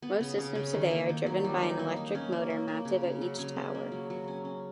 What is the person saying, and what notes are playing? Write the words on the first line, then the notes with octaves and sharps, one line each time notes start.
Most systems today are driven by an electric motor mounted at each tower.
B3
C#3
C#3
C#3
D#3
A#3
D#3
F#3
G3
D#4
A#3
D#4
C#4
A#3
A#3
A#3
C#3
C#3
F#3
C#3
C#4
A#3
F#3
F#3
C#4
C#4